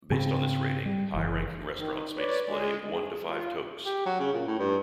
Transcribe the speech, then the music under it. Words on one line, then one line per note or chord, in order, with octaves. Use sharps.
Based on this rating, high-ranking restaurants may display one to five toques.
G#2 C#3 C4
G3
F#1 E3
D#3
B4 C#5 D5
G#3
G#4
F4
G4
F#3
C#3
A#2
A2
G2